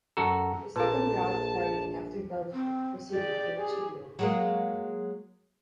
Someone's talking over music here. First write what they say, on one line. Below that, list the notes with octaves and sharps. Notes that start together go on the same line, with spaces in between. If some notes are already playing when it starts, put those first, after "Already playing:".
The "second route" varied after Bellevue proceeding to Chidlow.
F#2 F#4 A4 A5 A#5
A#1 A#2 A4 B4 A5
C4
G4 G#4 D5
G4 G#4
F#3 G#3 A#3